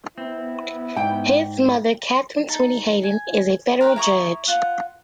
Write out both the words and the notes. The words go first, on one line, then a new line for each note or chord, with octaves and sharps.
His mother, Katharine Sweeney Hayden, is a federal judge.
B3 C4 E4
G#2 G5
D#4 A5
G#5
A#4 B4 G5
E4 A#5 C#6 D#6
F4 F#5